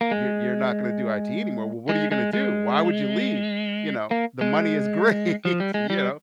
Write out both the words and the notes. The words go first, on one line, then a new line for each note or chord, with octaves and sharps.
"You're you're not gonna do IT anymore, well, what are you gonna do? Why would you leave?" You know, the money is great, you know,
A#3
G#3
G#3
G#3
G#3
A#3
G#3
F3
G3
G#3
G3